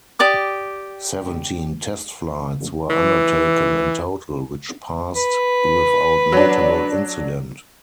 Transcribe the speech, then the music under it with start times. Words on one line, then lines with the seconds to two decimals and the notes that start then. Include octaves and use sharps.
Seventeen test flights were undertaken in total, which passed without notable incident.
0.19 G4 D5 D6 D#6
2.90 E3
5.15 B4
6.32 F#3 D4